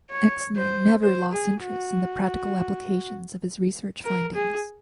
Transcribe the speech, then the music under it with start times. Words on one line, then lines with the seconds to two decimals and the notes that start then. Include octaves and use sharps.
Exner never lost interest in the practical application of his research findings.
0.11 C#5
0.57 C5
1.03 C5
1.32 G#4
1.62 F#4
4.05 A#4
4.34 G#4